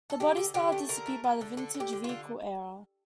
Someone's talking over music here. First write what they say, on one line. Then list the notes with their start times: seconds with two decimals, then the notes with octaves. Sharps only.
The body style disappeared by the vintage vehicle era.
0.10 A4
0.20 D3 G4
0.37 D3
0.54 D3 G4
0.72 A3
0.89 D3 A#4
1.06 A3
1.24 A3
1.41 D3
1.57 D3 A4
1.74 D3
1.80 G4
1.93 D3
2.04 D3 F4